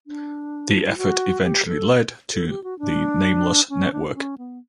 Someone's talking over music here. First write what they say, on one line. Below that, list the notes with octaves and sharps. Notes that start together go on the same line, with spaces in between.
The effort eventually led to the Nameless Network.
D4
E4
F#4
G4
A4
A4
G4
F#4
D4
C#4
D4
D4
C#4
B3